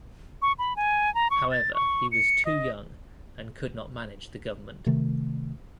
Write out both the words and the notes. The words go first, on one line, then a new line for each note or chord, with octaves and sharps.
However, he was too young and could not manage the government.
C#6
B5
G#5
A#5
C#6
A6
C#6
C#7
D#5
C3 D#3 A3